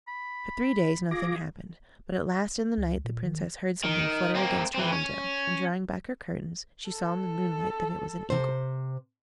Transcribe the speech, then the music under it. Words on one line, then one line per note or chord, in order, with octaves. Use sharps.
For three days nothing happened, but at last in the night the Princess heard something flutter against her window, and drawing back her curtains she saw in the moonlight that it was an Eagle.
B5
F4 G#4 D6 A#6
C#2
A#2
D#3
D#3
A#3 C4
E3 C4
C#4
A4
C3 C5